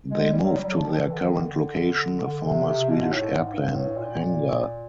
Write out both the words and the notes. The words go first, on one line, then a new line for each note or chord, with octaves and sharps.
They moved to their current location, a former Swedish airplane hangar.
G#3
G3
F#3
G3
F#3
F3
D#3
E3
D3
D#3
D3
D3
C3
C3
B2
G#2
A2
G#2
G2
A2
A#2